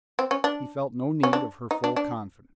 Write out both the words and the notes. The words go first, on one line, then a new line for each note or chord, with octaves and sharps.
He felt no need of her full confidence.
C4
C#4
D4
C#4
D4
D#4
D4
D4